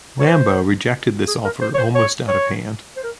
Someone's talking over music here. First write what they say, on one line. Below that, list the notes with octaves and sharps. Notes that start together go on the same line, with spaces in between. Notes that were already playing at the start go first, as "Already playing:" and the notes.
Lambeau rejected this offer almost out of hand.
C#5
C5
G#4
A#4
C5
C#5
C5
C#5
C#5
C5
A#4